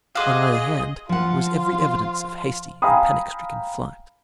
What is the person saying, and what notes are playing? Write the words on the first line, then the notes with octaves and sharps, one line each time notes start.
On either hand was every evidence of hasty and panic-stricken flight.
F#4 G#4 D#5 F5 C6 D6 D#6
F3 F4 F#5
F5 G5 G#5 A#5 B5 D#6